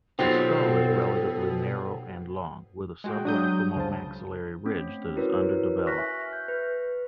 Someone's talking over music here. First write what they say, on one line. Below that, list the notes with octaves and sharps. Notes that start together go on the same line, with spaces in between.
The skull is relatively narrow and long, with a sublacrimal-maxillary ridge that is underdeveloped.
B2 F#3 C4 D#4 F4 G4 A4
G#3 F#4 G5
F#3 D4 D#6 G6
C#2 C#3 C5 A5
A3 C4 C#4
E4 F#4 A#4 B4 C#5
C#6 F6 F#6 A#6 B6
E5 G#5
G6
B4